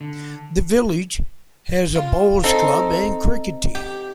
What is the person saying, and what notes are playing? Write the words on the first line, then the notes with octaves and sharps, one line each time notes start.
The village has a bowls club and cricket team.
D3
F4
C4 D#4 A4
G4